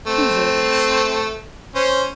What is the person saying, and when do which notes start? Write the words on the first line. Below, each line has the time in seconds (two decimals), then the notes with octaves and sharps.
"Whose orders?"
0.07 A3 C4
1.75 C#4 C5